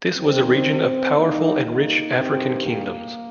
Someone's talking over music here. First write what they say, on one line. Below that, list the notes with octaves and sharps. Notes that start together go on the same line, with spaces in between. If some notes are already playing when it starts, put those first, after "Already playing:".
This was a region of powerful and rich African kingdoms.
D#2 D#3 G3 C4
D#2 D#3 G3 A#3 D#4
A#3 D#4
G2 D#3 G3 C4
A#3